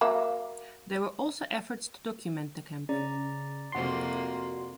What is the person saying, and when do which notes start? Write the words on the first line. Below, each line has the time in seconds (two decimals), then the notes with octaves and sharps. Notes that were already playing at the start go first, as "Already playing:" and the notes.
There were also efforts to document the camp.
0.01 F#3 A#3 E5
2.89 C#3 D5 A#5
3.72 F2 C3 A#3 F#4 C6